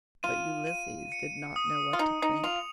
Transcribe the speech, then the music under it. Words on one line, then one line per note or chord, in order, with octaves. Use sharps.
But Ulysses did not know what to think.
F4 D#7
D#7
C#7
D#6
F4
D#4 D#6
D#4
F4 F7